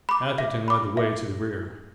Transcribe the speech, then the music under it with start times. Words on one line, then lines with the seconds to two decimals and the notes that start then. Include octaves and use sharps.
Atherton led the way to the rear.
0.09 B5 D6
0.38 E5
0.68 B5 D6
0.97 E5